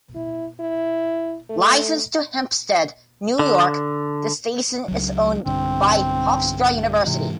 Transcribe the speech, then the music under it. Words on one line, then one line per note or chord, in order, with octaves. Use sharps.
Licensed to Hempstead, New York, the station is owned by Hofstra University.
E4
E4
A3
D3
C#2 F#3
B1 G2 D3 C4
G#2 C3 E3